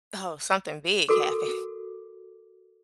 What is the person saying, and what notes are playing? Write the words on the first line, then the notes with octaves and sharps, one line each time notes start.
Oh, something big happened,
F#4 A4 A#4 D6